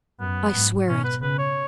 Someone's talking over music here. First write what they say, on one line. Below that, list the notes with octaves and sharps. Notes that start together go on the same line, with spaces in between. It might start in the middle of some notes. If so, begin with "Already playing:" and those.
"I swear it."
F#2 B3
G#2
B2 C#4
B4
C#3 B4
C#5